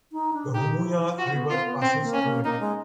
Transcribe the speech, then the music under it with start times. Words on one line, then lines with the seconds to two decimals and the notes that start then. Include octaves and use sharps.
The Humuya River passes through it.
0.12 D#4
0.33 D4
0.54 D#4 G4
0.75 E4
0.97 E4
1.12 E4
1.17 F4 F#4
1.34 B3
1.49 C4 F4
1.65 B3
1.82 C4
2.02 A#3
2.13 C#4
2.23 A#3
2.45 A#3 D#4
2.60 G#3